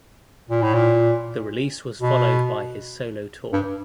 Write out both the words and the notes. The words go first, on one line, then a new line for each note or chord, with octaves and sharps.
The release was followed by his solo tour.
A#2
A2
A#2
B2
G2